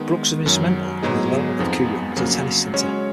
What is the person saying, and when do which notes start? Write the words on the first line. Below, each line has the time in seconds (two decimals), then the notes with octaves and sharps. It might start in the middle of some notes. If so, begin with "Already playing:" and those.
Brookes was instrumental in the development of Kooyong as a tennis centre.
Already playing: D#3 G#3 B3
0.46 F#2 D#3 F#3
1.02 G#2 F#3 B3 D#4 G#4
1.59 F2 F3 B3 D#4 G#4
2.16 F2 C#3 F#3 A#3
2.74 G#3 C#4 F#4 C#5